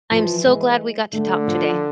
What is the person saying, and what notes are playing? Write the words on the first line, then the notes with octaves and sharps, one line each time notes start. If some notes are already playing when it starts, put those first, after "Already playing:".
I'm so glad we got to talk today.
E3 F3
G#3
D3 A3
F3